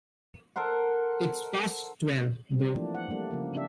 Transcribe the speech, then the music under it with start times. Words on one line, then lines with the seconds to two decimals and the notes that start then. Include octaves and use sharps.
It’s past twelve, though.
0.56 A4 A#4 C5 F#5
2.52 G3 C4
2.74 E3 F3 A3 A#3 D4
2.95 F#5
3.10 G3 A3 A#3 D4
3.31 C#3 F3 A#3
3.53 C#3 C4 D4 G4 E5